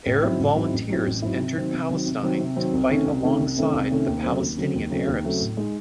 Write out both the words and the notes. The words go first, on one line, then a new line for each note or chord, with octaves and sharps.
Arab volunteers entered Palestine to fight alongside the Palestinian Arabs.
A1
G#2 F#3 C4 E4
A1
G#2 F#3 C4 E4
A1
G#2 F#3 C4 E4
A1
G#2 F#3 C4 E4
C3
D#3 F#3 C4
C3
D#3 F#3 C4
C3
D#3 F#3 C4
C3
D#3 F#3 C4
C2
C3 D#3 A3 C#4
C2
C3 D#3 A3 C#4
C2
C3 D#3 A3 C#4
C2
C3 D#3 A3 C#4
D#2
C#3 F#3 A3 C4
D#2
C#3 F#3 A3 C4
D#2
C#3 F#3 A3 C4
D#2
C#3 F#3 A3 C4
A2
G#3 D#4